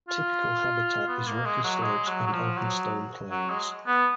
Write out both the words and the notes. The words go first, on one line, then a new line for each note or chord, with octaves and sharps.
Typical habitat is rocky slopes and open stone plains.
F4
B3
A#3
G#3
F#3
G#3
F#3
F#3
F3
F#3
F#3
G#3
B3